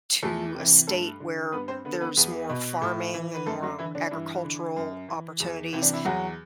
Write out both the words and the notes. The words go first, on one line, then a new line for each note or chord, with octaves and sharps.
to a state where there's more farming and more agricultural opportunities
E2 A3 A4
C3 E3
G2 A3 A4
D3
G2 B3 B4
C4 C5
D3 B3 B4
A4
B3 B4
E2 B3 B4
B2
A2
E3
B4
F#2 A3 A4
F#3 F#4
D3 E3 E4
D3 D4
D4
G2 E3 E4
D3
F#2
E3
E2
C3 E3
D4
E4
E2 F#3 F#4